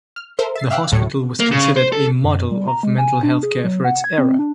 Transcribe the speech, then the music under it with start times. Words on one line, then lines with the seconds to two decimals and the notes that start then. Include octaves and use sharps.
The hospital was considered a model of mental health care for its era.
0.16 F6
0.39 A4 A#4 C5 E5
0.55 E5 A6 C7
0.70 E5 F5 G5 D6 E6 F#6
0.92 D2 A2 F#3 C#5 C#7
1.40 A#3
1.52 C#3
1.77 C5
1.92 A4
2.24 F#2
2.51 G3
2.68 A#5
2.83 G#3
2.98 G#5
3.23 D4
3.43 G#4
3.64 F#3
3.84 F#5
4.04 G#6
4.18 C4
4.39 D4